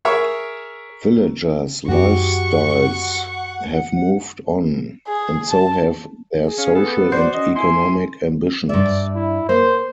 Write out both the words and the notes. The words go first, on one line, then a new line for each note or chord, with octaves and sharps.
Villagers' lifestyles have moved on and so have their social and economic ambitions.
G#4 A#4 C#5 E5
F#2 F#4 G4 F#5 C#6
G#4
A5
G#4
C#4 F5
B3 A4
F#4 C5 D5
C#4 D#5
E4 G#5 C6
G2 D5 E5
E4
A#3 C5